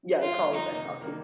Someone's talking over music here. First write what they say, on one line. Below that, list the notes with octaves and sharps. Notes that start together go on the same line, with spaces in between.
Yeah, college ice hockey.
G2 F4
D3 G3 A#3 D#4
F2 D#4
C3 D#3 A#3
C3
D#3 G3 A#3